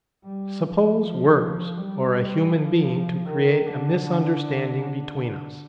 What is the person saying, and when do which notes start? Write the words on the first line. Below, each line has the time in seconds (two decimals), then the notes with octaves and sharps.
Suppose words or a human being to create a misunderstanding between us!
0.24 G3
0.63 F3
1.01 F3
1.77 G3
2.52 F3
3.28 D#3
3.66 D3
4.04 D3
4.80 D3